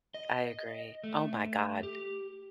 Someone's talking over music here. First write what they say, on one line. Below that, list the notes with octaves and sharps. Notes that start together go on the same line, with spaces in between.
I agree. Oh my god.
D#5
A3
G4